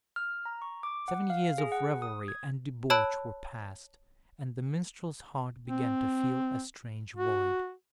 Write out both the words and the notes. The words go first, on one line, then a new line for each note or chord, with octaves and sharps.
Seven years of revelry and debauch were passed, and the minstrel's heart began to feel a strange void.
F6
A#5
C#6
D6
F#5
F5
G#4
F#5
D#6
G#6
C#5 A5 B5 E6 F#6 D7
C4
F#4